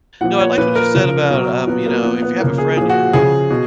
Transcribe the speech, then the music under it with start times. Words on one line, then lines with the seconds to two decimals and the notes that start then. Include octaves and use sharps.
No, I liked what you said about, um, you know, if you have a friend, you're, um,
0.21 A#2 F3 F#5
0.40 C#5
0.58 A#2 F3 B4
0.75 A#4
0.94 C#3 F3
1.31 B2 F#3
1.67 A#2 F#3 B3
1.86 A#3
2.04 A#2 F3 B3
2.23 B3
2.40 C#3 F3 A#3
2.58 G#4
2.77 A#2 G#4
2.81 F3
2.89 F#4
3.13 C#3 F3 G#4
3.50 B2